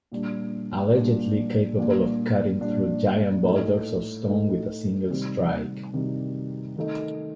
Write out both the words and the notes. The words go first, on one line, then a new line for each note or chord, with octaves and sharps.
"Allegedly" capable of cutting through giant boulders of stone with a single strike.
A#2 G3 D4
A#2 G3 D4
A#2 G3 D4
A#2 G3 D4
A2 A3 D#4
A2 A3 D#4
C3 D#3 G3 C4
C3 D#3 G3 C4
D#3 A3 D#4